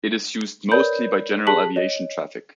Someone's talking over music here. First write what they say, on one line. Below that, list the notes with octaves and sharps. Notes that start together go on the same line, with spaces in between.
It is used mostly by general aviation traffic.
A#4 B4 C#5 D5 B5 G6
G4 G#4 A5 F#6 B6 F#7
C#5 D#5